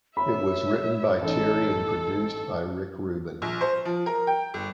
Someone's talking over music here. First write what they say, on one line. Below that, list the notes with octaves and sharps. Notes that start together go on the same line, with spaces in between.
It was written by Cherry and produced by Rick Rubin.
C#5 E5 B5
A1 D#4 A4
A#1
C5
F3
A#4
G5
G1